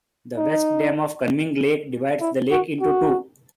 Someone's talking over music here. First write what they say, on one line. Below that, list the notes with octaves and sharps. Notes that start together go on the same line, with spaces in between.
The West Dam of Kunming Lake divides the lake into two.
D#4
E4
F#4
F#4